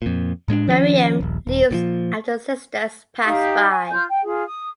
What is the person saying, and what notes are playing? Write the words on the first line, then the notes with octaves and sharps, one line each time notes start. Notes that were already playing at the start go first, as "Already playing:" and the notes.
Maryam leaves after the sisters pass by.
F2 A#2
A2 G#3 C4 D4
D#3 F3 A3 C#4
D#1 A#1
D#1
A#2 D#3 F3
D#4 G4 F5 D#6
G#5
F4 G6
G5
F4 G#4
D#6